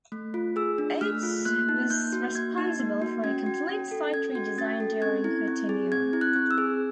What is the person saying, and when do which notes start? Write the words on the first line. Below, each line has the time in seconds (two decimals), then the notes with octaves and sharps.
Oates was responsible for a complete site redesign during her tenure.
0.12 A3
0.34 F4
0.56 G#4 E6
0.78 D4
1.01 A3 F6
1.23 F4
1.45 A#3 F#6
1.69 D#4
1.90 A#3 G6
2.13 F#4
2.35 A#3 G#6
2.58 D#4
2.80 A#3
3.02 F#4
3.24 C#4 G#6
3.46 F#4
3.69 C#4
3.91 A4
4.13 C#4 G#6
4.35 F#4
4.58 C#4 A6
4.80 A4
5.02 C4 G#6
5.24 E4
5.47 C4
5.69 G#4
5.92 C4 G#6
6.13 E4
6.21 F#6
6.36 C4
6.51 E6
6.58 G#4